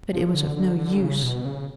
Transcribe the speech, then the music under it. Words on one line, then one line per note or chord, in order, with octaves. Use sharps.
But it was of no use.
F3
D3
D3
D3
C#3
B2
C#3